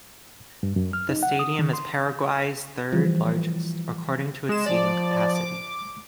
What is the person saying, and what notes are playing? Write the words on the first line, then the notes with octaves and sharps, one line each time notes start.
The stadium is Paraguay's third largest, according to its seating capacity.
G2
F#2
F6
D#4
F#5
D#6
D#3
C6
E3 F3 G3
G#3 E7
F3 D5
D6